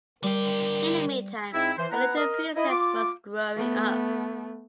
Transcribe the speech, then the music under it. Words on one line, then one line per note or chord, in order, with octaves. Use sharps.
In the meantime, the little princess was growing up.
D3 G3 G4 A#4
G#2 C4 E4
E3 C5
B3 E4 F#5 A#5
A#4 D#5
E4 D#5
F4 D6
A3 B3